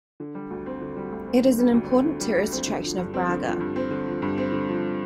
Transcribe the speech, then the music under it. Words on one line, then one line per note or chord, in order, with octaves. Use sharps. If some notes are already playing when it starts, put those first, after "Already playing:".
It is an important tourist attraction of Braga.
D3
G3
D2
C4
D3
G3
D2
C4
D3
G3
D2
C4
D3
G3
D2
C4
D3
F3
G2
C4
D3
F3
G2
C4
D3
F3
G2
C4
D3
F3